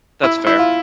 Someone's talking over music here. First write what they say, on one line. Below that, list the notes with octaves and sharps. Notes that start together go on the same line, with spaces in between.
that's fair.
E4
E4
F4